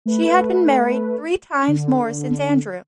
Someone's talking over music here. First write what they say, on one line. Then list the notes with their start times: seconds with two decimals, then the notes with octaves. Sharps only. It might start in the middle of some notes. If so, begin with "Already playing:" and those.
She had been married three times more since Andrew.
0.06 A3 B4
1.68 D3